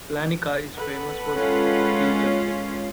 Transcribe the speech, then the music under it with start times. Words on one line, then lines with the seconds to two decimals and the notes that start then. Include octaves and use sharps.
Planica is famous for ski jumping.
0.75 A4 B4 F#5
1.34 G#3 C#4 F4